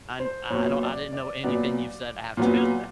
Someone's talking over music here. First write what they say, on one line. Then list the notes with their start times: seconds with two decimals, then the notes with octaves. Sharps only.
I'm I don’t I didn’t know anything you’ve said after that.
0.20 C5
0.50 A#2 F#3 B3 C#5
0.83 D5
1.13 D5
1.44 A#2 F#3 B3 D5
2.37 A#2 F#3 B3